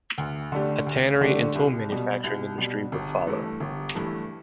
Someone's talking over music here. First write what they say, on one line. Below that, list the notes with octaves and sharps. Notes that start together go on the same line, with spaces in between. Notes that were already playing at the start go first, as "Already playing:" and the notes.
A tannery and tool manufacturing industry would follow.
D2
D3 A3 D4 G4
D2
D3 A3 D4 G4
C2
B2 G3
C2
B2 G3
G1
G2 E3 A3 E4
G1
G2 E3 A3 E4